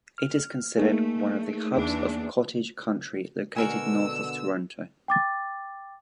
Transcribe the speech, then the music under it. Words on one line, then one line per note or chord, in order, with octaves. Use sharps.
It is considered one of the hubs of cottage country located north of Toronto.
F6
A3 A#3 D#4 G#4
E2 D4
B2 D3 F#4 A#4 G#5 E6
G5 D6 A6